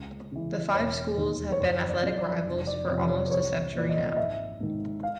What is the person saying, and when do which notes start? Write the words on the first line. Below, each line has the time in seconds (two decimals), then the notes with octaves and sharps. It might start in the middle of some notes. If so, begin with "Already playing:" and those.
The five schools have been athletic rivals for almost a century now.
Already playing: C#2
0.32 C#3 E3
0.74 E1 C#5
1.17 D#2 D#3
1.52 C#5
1.60 F#1 C5
1.89 D5
2.03 F#2 C#3 F3
2.17 D5
2.46 F1
2.67 D5
2.88 F2 C3 F3 C#5
3.10 C#5
3.27 C5
3.31 C2 C#5
3.75 A#2 F3 D5
3.89 D#5
4.07 D#5
4.17 G#1 E5
4.60 G#2 D#3
5.03 F5